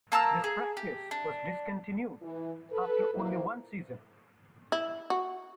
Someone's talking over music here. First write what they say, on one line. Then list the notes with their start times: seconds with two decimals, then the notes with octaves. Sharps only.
This practice was discontinued after only one season.
0.12 A#3 A5 A#5 E6
0.44 G#4
0.77 G4
1.11 D4
2.22 E3
2.70 A4 B4
3.13 A#2 A#3 E4 C5
4.72 E4
5.10 F#4